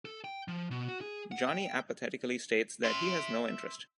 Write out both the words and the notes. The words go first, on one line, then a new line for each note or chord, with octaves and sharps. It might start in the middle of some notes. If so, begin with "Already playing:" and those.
Jonny apathetically states that he has no interest.
A4
G5
F3
B2
F#4
G#4
F#5
G5
E5 C6